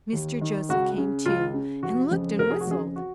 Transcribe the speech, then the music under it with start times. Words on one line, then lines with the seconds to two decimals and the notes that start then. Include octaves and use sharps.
Mr. Joseph came too, and looked and whistled.
0.13 D#2
0.41 D#3
0.69 C#2 F#4
0.98 C#3
1.26 C#2 F4
1.54 C#3
1.83 F1 F#4
2.11 F2 C#3
2.39 F1 A#4
2.50 G#4
2.61 F#4
2.67 F2 C#3 G#4
2.96 F#4